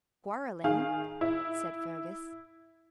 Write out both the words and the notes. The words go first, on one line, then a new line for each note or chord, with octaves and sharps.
"Quarrelling," said Fergus.
D#3 G#4 F5
E4